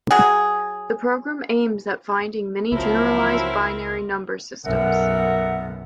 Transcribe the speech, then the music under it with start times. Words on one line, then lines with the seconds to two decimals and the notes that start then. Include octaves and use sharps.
The program aims at finding many generalized binary number systems.
0.11 F#3 G#4
2.72 C#2 F3 F#3 C4 E4 A#4
4.65 B1 F#2 A#4 E5 F#5